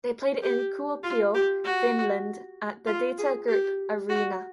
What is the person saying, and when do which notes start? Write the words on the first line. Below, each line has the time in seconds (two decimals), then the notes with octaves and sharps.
They play in Kuopio, Finland at the Data Group Areena.
0.42 G4
1.03 F4
1.34 G4
1.64 F#4
2.86 F4
3.18 G#4
3.48 G4
4.09 F#4